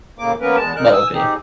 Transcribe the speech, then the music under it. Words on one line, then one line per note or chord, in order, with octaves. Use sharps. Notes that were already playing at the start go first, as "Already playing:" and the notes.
What would be?
D#2 A2 C#3 A#3 D6
F3 A#3 B3 C#4 A#4 B4
E2 G#3 A5
F#2 A#2 D3 D#4 A#4 F#6
G#5 D#6 E6
C4 D#4 G4 G#4